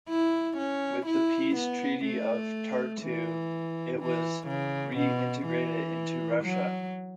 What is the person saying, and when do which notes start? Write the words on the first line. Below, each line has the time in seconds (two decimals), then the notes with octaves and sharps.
With the Peace Treaty of Tartu it was re-integrated into Russia.
0.09 E4
0.58 C#4
1.07 E4
1.56 B3
2.05 A3
3.02 E3
3.99 E3
4.48 C#3
4.97 B2
5.46 E3
6.44 F#3